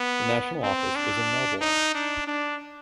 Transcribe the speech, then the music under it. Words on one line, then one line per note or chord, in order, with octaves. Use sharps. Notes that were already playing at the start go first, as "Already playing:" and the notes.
The national office is in Melbourne.
Already playing: B3
C4
D4
D#4
D4
D4